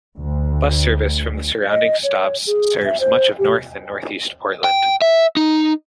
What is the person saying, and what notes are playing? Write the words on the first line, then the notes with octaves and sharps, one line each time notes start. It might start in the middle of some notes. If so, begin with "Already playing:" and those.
Bus service from the surrounding stops serves much of North and Northeast Portland.
D2
D#5
C#5
G#4
E5
C5
G4
G5
E5
D#4